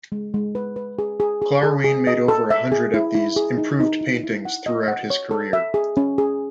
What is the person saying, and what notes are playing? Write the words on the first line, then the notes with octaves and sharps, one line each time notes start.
Klarwein made over a hundred of these "improved paintings" throughout his career.
G#3
G#3
B4
B4
G#4
G#4
G#4
G#4
G#4
D#5
A4
E5
G#4
E4
E4
G#4
D#4
D#4
E4
E4
F#5
D#5
F#5
C#5
A4
E5
G#4
C#4
G#4